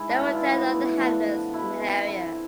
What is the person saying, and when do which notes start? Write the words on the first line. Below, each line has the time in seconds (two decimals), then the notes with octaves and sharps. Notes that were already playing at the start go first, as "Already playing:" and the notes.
There were ten other hamlets in the area.
Already playing: G#2 E4 G#4
0.09 D4
0.18 B2
0.27 E4
0.34 F4
0.42 B3 E4
0.73 A2
0.99 F3 D4
1.27 D3
1.54 B2 E4
1.81 C4
2.08 D3 E4